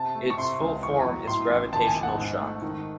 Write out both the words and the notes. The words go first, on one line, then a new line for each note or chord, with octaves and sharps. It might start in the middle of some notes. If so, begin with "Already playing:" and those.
Its full form is Gravitational Shock.
Already playing: C3 A5
A3
C#6
C3 C6
C#2
E2 C#6
F#3
A2 C6
A1
D#2 A5
G#5
E1
F#5
G#2
A3
D#3